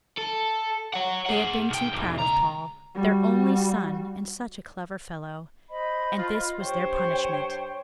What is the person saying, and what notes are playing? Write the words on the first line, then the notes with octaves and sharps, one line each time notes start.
They had been too proud of Paul ... their only son and such a clever fellow ... and this was their punishment!
A4
C#5 F#5
G#4 F#5
B1 G5
B1 E2
C#2 A#5
G3 F#4
C5 D#5 B5
F4
G2 G4 C5 C#5 G5 C#6